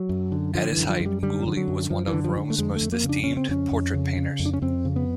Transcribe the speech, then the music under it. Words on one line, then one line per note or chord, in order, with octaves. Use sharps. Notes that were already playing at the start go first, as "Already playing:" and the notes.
At his height, Gaulli was one of Rome's most esteemed portrait painters.
Already playing: F#3
F#2
D3
D3 F3
E3
F#2
F3
F#2
G3
D3 G3
D3 F3
F#3
F#2
F#2 F3
E3
D3
F3
D3
A3
F2 G#3
A3
F2
A#3
C#3
D4
C#3 C#4
C4
F2 C#4
F2
C#3
C#3
F2
D4
C#4
F2 C4
C#3
B3